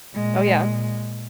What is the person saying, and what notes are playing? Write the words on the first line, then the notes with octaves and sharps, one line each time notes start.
Oh, yeah.
A#2 G#3